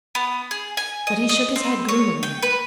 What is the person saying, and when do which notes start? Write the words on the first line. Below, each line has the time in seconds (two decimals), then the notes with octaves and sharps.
But he shook his head gloomily.
0.15 B3
0.51 G#4
0.77 G#5
1.07 D#5
1.29 D#5
1.56 C4
1.88 C#5
2.23 G5
2.42 B4